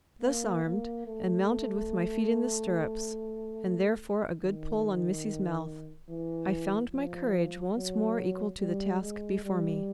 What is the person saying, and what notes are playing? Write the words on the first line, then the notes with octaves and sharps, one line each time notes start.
Thus armed, and mounted with my feet in the stirrups, and therefore a good pull on Missy's mouth, I found my courage once more equal to the task before me.
A#3
A#3
A3
D#3
E3
F3
F#3
G3
G#3
G3